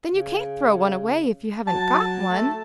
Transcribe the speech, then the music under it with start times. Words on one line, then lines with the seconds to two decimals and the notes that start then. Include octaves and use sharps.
"Then you can't throw one away, if you haven't got one."
0.13 C#3
1.68 F#3 A5
2.28 A3